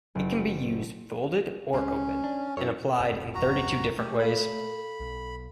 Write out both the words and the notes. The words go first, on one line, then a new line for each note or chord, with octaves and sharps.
It can be used folded or open, and applied in thirty-two different ways.
F#1 D7
C#2 C#3 C#4
D4
F#2 E4 C#5
F#1 C3 C4
D#1 A1 F#2 F#4 G5 A#5
A3 G4
A4 F5 B5
B1